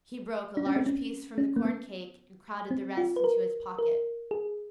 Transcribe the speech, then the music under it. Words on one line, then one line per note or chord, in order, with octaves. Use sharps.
He broke a large piece from the corn-cake and crowded the rest into his pocket.
D4
C#4
C4
C#4
C#4
A#3
B3
C4
F4
B4
A#4
A#4
G#4